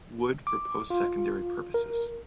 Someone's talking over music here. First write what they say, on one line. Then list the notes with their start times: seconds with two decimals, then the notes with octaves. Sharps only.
Wood for post-secondary purposes.
0.47 D6
0.90 F4
1.74 A#4